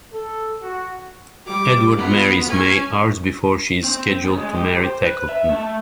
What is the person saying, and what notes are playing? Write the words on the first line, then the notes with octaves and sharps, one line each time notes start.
Edward marries May hours before she is scheduled to marry Tackleton.
A4
F#4
G3 D6
B3 F4
C#4 G#5
C4
C#3
G#3
G4
C5
B4
E5
A3